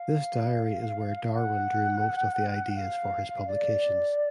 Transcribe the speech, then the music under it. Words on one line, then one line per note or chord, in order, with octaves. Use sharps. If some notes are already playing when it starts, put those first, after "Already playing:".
This diary is where Darwin drew most of the ideas for his publications.
Already playing: F5
F#5
F5
D5